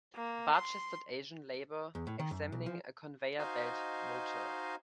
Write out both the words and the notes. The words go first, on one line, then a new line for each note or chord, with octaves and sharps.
Barechested Asian laborer examining a conveyor belt motor.
A#3
C6
E2
A2
D#3
F#2
B1
F3
D#4 F#4 C5 D#5 F5 G#5